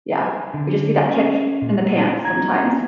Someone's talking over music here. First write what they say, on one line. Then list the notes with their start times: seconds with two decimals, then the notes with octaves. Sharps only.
yeah. We, just, need that kick in the pants sometimes.
0.23 G#5
0.54 D3
1.07 C#4
1.62 A#2
2.24 A#5 G#6